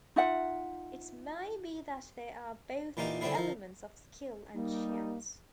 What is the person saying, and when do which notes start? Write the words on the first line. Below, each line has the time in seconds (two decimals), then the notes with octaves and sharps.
It may be that there are both elements of skill and chance.
0.16 D#4 F4 E5 F#5
2.97 A#2 E3 A#3 D#4 F4 G4
3.21 D3 G3 B3 C4 E4 G#4
3.35 F3 A#4
4.54 G3 A#3 D#4